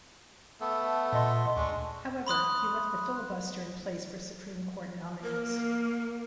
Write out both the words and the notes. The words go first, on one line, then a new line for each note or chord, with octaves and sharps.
However, he left the filibuster in place for Supreme Court nominees.
A3 B3 A4
A#2 D#5 C6
D2 G#3 D4 C#6
B5 C6 D#6 F#6
A#3 A#4